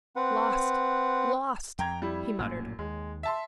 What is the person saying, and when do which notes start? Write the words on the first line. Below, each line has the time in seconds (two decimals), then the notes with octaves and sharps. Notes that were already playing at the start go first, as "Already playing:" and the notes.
"Lost! lost!" he muttered.
0.16 C4 B4 F#5
1.79 F2 G5 A#5 G#6
2.02 G3 E4
2.39 A#1 F#2 A2 A#3
2.79 D#2 G#3
3.23 E5 A5 C6